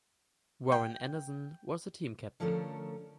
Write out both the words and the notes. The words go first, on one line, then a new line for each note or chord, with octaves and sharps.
Warren Anderson was the team captain.
G5
D3 F3 A3 C#4 A4 A#4